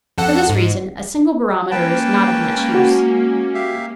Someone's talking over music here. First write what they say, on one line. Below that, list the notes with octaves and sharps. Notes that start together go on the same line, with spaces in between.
For this reason a single barometer is not of much use.
F2 A4 F#5
G#2
G#3 A#3 C#4 B4 G5 A5
F#4
G4 E5 F5